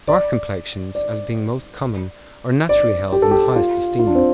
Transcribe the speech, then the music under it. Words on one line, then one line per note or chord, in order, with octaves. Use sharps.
Dark complexions, as being most common, are naturally held in the highest esteem.
D5
D5
D5
G4
A4
G4
F4
F4
D4
C4